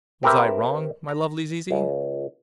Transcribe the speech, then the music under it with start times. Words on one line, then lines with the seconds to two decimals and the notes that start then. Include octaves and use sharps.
Was I wrong, my lovely Zizi?'
0.23 C4 G4 A#4 B4 E5
1.09 A#5
1.71 C#2